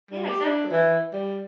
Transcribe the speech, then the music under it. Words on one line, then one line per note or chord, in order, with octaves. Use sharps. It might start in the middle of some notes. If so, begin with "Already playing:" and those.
Yeah, exactly.
G3
G4
D4
E3
G3